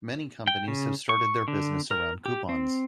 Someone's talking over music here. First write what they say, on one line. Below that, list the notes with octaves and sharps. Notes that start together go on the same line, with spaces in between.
Many companies have started their business around coupons.
G5
C#3
C#6
D3
A#4
G4
C4